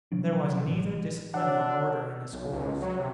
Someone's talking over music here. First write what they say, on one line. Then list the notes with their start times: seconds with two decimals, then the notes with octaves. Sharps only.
There was neither discipline nor order in the schools.
0.12 C3 F3 F#3 D4
0.66 A1
1.34 D4 F#4 C#5 F#5 E6
2.33 B1
2.52 C#2
2.82 F#3
2.99 C3